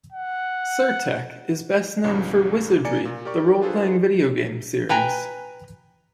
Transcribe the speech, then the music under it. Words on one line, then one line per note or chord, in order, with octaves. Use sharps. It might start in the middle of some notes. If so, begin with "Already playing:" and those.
Sir-Tech is best known for "Wizardry," the role-playing video game series.
F#5
B1 G2 C#3 E3 F#3 G3
C#3 A#3 D5 G#5 A#5 C#7
A#2
G4 A#4 D5 C#6
D4 F4 G#4 A4 B4 C5
B4 G5 G#5 A#5